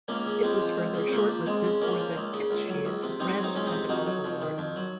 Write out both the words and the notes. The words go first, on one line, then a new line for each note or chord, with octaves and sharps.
It was further shortlisted for The Kitschies Red Tentacle award.
C#2 A#3 C#4
C#3
C#2 G#3 C4
F3
C#2
C#3
C4
C#2 A#3
F3
C#2 G#3 C4
C#3
C#2 A#3 C#4
F3
C#2
C#3
C#2
F#3
C#2
C3
C#2 C4 D#4
F#3
C4 D#4
C#2 C#4
C4 D#4
C3
F2 D#4 F#4
F#3
F2
D#3
F2
F#3